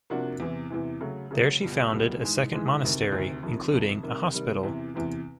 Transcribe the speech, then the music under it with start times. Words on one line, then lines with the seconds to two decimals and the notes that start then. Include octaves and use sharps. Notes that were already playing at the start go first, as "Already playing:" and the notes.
There she founded a second monastery, including a hospital.
0.10 C3 F3 A#3 D4 F#4
0.40 E2 C3 E3
0.70 E2 C3 E3
1.00 C#3 F#3 A3
1.31 C#3 F#3 A3
1.61 C#2 B2 G3
1.92 C#2 B2 G3
2.22 G#2 E3 G#3
2.52 G#2 E3 G#3
2.81 D2 C3 D#3
3.12 D2 C3 D#3
3.43 F2 C3 D#3
3.73 F2 C3 D#3
4.03 C3 D#3 G3 A#3
4.33 C3 D#3 G3 A#3
4.63 E2 C3 E3
4.94 E2 C3 E3